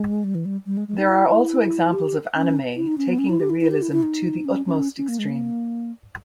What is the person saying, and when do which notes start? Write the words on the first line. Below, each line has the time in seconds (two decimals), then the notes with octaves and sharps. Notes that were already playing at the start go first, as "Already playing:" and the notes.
There are also examples of anime taking the realism to the utmost extreme.
Already playing: G#3
0.24 G3
0.35 E3
0.45 G3
0.66 G3
0.77 G#3
0.88 G#3
0.98 D#4
1.08 E4
1.30 E4
1.93 G4
2.35 C#4
2.76 E4
2.87 D#4
2.98 C#4
3.08 B3
3.18 C#4
3.29 E4
3.40 G4
3.50 E4
3.61 E4
3.71 G4
3.82 E4
3.92 E4
4.03 D#4
4.45 C#4
4.66 C#4
4.97 C#4
5.08 A#3
5.19 G#3
5.29 A#3